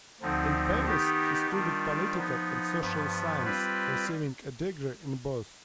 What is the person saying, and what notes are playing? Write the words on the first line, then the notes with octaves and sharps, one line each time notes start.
In Paris he studied political and social science, receiving a degree in both.
D2 D3 F3 C4 D#4
D#3 B3 D#4 G4
D#3 G3 D4 F4
F3 B3 D#4
G2 F3 B3
G3 C4 F4 B4